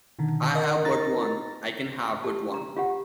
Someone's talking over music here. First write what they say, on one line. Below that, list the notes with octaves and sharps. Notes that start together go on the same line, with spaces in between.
I have but one; I can have but one.
B2 D3 D#3
A#4 D#5 F#5
D#4 A#5 A6
G4 A5
A#5
F4 G4 F#5